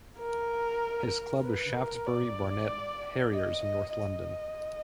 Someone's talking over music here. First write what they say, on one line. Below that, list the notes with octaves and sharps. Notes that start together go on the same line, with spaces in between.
His club is Shaftesbury Barnet Harriers in North London.
A#4
B4
A#4
D5
D#5
D#5
D#5